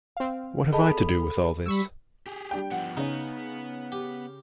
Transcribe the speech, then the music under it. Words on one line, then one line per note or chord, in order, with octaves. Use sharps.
What have I to do with all this?
C4 F5
G#4 A4 D#5 A5 B5
G3 B5 C#6 E6
G4 G#4
G3 D4 G5
F3 B3 F#5
C#3 B3 C#4 D#4
G4